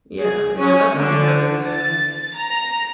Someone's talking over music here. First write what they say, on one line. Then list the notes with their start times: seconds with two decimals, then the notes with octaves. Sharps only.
Yeah, no, that sounds really good.
0.19 G#4
0.57 C#4
0.98 D3
1.66 A6
2.37 A#5